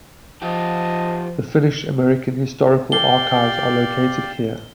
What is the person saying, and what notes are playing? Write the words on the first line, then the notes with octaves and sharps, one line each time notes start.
The Finnish American Historical Archives are located here.
F3 F4 G4 D#5 A5
G4 D5 F5 G7